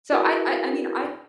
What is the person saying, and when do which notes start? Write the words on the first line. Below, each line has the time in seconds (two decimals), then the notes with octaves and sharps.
so I I I mean, I
0.12 E4 F#4 G#4 A#4 B4